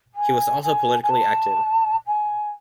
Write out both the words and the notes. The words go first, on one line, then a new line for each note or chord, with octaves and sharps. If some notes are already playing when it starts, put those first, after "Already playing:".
He was also politically active.
G#5
G#5
G#5
A5
G#5